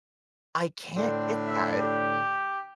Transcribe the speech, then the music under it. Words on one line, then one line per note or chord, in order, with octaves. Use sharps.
I can't get that.
A2 D3 C4 D4
E5
G4